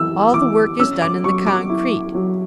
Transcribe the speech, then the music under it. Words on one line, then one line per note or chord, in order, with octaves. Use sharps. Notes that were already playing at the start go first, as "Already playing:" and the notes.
All the work is done in the concrete.
Already playing: E3 E6
E3 D6
C#4 E6
D6
F#3 C#6
D6
E4
F#3